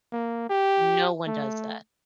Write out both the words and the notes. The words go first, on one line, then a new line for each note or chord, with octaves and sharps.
No one does that.
A#3
G4
A3